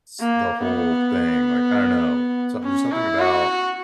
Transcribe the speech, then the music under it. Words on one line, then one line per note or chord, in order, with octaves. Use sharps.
S the whole thing, like, I don't know, something there's something about.
A#3
B3
C#4
E4
F#4